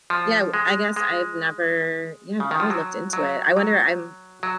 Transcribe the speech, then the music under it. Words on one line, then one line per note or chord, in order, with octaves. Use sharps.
yeah, w I guess I've never yeah, I've never looked into it, I wonder I'm
F3
G#3
G#3
C#3
D#3
F3
F#3
F#3
F#3
F#3